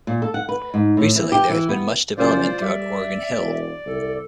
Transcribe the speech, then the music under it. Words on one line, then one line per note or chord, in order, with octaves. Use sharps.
Recently, there has been much development throughout Oregon Hill.
A#2
A4
F#5
B4
G#2
A2
E3
G4
E3
B3
F#1 C#4 F4 C5 D5
G3 D5 E5
E1
C2 A4